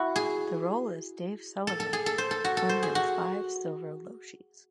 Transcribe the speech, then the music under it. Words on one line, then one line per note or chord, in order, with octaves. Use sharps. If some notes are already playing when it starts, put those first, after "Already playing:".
The role as Dave Sullivan won him five Silver Logies.
Already playing: E4 F#4
G#4
A4
A4
G#4
A4
C5
A4
F#4
A4
C5
G#4
F#4